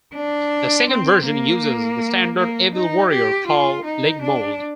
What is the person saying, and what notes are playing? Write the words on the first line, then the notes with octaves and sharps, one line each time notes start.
The second version uses the standard Evil Warrior 'claw' leg mold.
D4
C4
A#3
A#3
D#4
G4
F4
D#4
D4